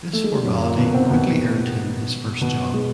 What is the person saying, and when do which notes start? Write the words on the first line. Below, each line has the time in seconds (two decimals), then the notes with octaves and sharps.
This formality quickly earned him his first job.
0.13 A3
0.24 G#3
0.35 G3
0.45 F#2 F#3
0.61 A#2 A#3
0.78 B2 B3
0.94 C3 C4
1.10 B2 B3
2.41 B2 B3
2.74 G#3